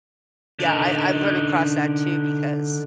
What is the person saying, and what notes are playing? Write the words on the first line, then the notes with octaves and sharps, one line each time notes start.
Yeah, I I've run across that too because,
D3 D#4